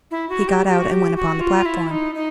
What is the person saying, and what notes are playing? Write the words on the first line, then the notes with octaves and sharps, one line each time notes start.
He got out and went upon the platform.
E4
F#4
G4
G4
F#4
G4
F#4
F4
E4
D#4
D#4